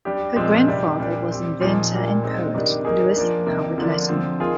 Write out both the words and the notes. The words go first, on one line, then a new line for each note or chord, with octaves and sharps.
Her grandfather was inventor and poet Lewis Howard Latimer.
G3 D4 G4
A#2 F3 G#3 C4
C3 G3 D4 G4
A#2 G3 D4
G3 C4 G4
A#2 F3 A#3 D#4 G#4
A#2 G3 D4
G#3 C4 D#4
C3 D#3 G3 D4 G4
D#3 A#3 D#4 G#4
F3 A#3 D4
C3 D#3 A#3
D3 F3 A#3 D4
D3 F3 C4
D#3 A#3 F4 G#4